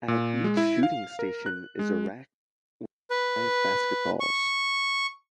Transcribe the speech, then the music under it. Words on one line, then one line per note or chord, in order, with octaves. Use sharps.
At each shooting station is a rack with five basketballs.
A#2
G#3
E4
F5
A#4
F#6
G#3
B4
C#6